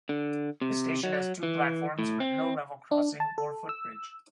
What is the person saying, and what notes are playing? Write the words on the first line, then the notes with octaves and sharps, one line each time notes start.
The station has two platforms with no level crossing or footbridge.
D3
C3
F#3
E3
A2
C4
D4
A5
A4
E6